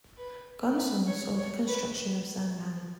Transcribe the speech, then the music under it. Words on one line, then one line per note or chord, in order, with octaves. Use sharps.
Gongsun saw the construction of Xiangyang.
B4
B4
C#5
C#5
B4